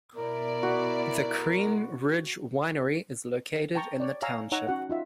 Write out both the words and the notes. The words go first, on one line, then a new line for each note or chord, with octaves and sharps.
The Cream Ridge Winery is located in the township.
B2 E4 A#4 D5
F#4
G5 A5 A#5 C#6
C#5 D5
C#5 F5 G#5 A#5 E6
D#4 C#5 F#5 A#5 E6
C#4 F#4 F#5
D#4 F4 E5